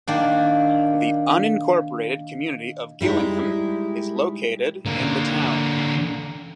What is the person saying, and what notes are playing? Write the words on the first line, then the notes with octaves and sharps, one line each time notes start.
The unincorporated community of Gillingham is located in the town.
D#3 A#3 D4
G3 G#3 D#4 E4 G4
D3 A#3